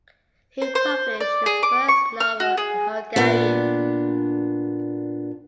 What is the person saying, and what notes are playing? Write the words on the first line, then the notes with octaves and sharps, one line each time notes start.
He published his first novel in Hungarian.
C5
C5
D5
G#4
D6
C#6
F6
F#4
G#4
A#2 B3 D4